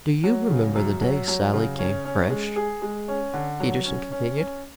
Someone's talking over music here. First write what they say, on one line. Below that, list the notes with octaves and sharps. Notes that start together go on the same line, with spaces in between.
"Do you remember the day Sally came fresh?" Peterson continued.
F#3
C#3
F#2
F#3
F#3
C#3
C#4
C#4
G#3
G#4
G#3
C#4
D3
F#3
C#4
C#4
C#4